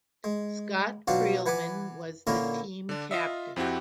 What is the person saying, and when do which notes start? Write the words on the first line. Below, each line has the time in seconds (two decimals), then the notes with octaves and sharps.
Scott Creelman was the team captain.
0.24 G#3
1.08 B2 F#3 D4 F4 F5 F#5
1.46 E3 B4 F#5 G#5 B5 D6
2.27 A#2 D3 A#3 C#4 E4 A#4
2.89 D3 D4
3.11 F4 D#5 E5
3.56 F2 C4 E4 F#4 G4